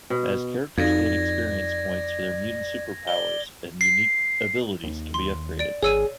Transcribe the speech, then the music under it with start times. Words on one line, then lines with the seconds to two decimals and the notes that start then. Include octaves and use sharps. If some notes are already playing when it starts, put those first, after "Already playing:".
As characters gain experience points their mutant superpowers and unique abilities can be upgraded.
0.10 B2
0.78 F2 D#4 F#4 D5 F5 G#6 A#6
3.07 D5 G7
3.81 C7
4.84 D#2
5.14 C6
5.59 D5 D7
5.83 G#1 G#4 C#5 E6 D#7